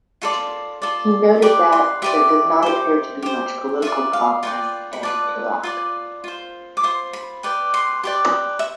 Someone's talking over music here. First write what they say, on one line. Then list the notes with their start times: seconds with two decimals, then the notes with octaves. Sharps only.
He noted that, "there does not appear to be much political progress" in Iraq.
0.22 F4 A4 D5 C6
0.82 F4 A4 D5
1.42 G4 B4 D5 B5
1.72 C6
2.02 G4 B4 D5 E5
2.63 G4 C5
3.22 G4 C5
3.82 F4 B4 D5 E5
4.13 F5
4.43 F4 B4 D5 G5
4.93 B5
5.03 F4 B4 D5 A5
5.63 F4 B4 D5
6.24 F4 C5
6.77 D6
6.83 F4 C5 C6
7.13 B5
7.43 G4 B4 D5
7.74 C6
8.04 G4 B4 D5
8.59 E5